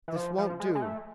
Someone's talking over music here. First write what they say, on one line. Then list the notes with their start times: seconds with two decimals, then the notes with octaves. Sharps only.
This won't do.
0.08 E3
0.16 F3
0.38 F3
0.60 G#3
0.75 G#3
0.82 A3